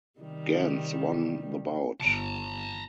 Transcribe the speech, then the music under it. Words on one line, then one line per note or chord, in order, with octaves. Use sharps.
Gans won the bout.
C3 D#3 G3
G1 A5 A#5